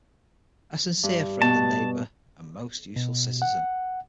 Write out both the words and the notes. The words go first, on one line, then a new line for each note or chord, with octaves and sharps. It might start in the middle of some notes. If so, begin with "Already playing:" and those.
A sincere friend and neighbor and most useful citizen.
G2
B2 A5
B2
F#5